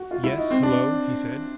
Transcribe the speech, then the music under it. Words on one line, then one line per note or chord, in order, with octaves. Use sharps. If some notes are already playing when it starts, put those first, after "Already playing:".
"Yes--hello!" he said.
Already playing: F#4
F4
E4
D#4
C4
D4